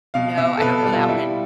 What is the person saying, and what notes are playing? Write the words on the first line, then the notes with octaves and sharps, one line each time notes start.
No, I don't know that one.
B2 F5
B2 E5
A4
B2 B4
A4
G3
F4
G3 E4